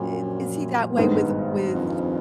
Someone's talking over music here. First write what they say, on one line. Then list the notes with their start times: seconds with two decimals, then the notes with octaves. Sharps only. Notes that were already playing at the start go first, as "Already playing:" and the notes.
i is he that way with with
Already playing: A#1 F#2 A#2 G3
0.96 G#1 G2 D#3 G#3 B3
1.75 F2